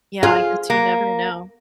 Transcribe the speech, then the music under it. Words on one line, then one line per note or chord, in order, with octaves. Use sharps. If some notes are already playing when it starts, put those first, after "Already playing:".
Yeah, I guess you never know.
F4 G#4 F5
A#3